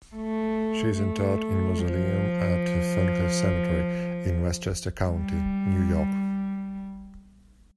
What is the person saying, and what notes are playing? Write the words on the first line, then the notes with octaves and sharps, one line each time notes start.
She is interred in a mausoleum at Ferncliff Cemetery in Westchester County, New York.
A3
A3
F3
G3